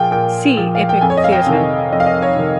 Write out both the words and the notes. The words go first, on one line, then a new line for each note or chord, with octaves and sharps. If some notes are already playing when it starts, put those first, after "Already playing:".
See epic theater.
Already playing: A#2 F3 F4 G#4 G5
A#2 G5
F3
F5
G5
F2 G#5
C#5
D#5
F5
G5
C3 D#3
F2 D#5
F5
D#5
C#5
C3 D#3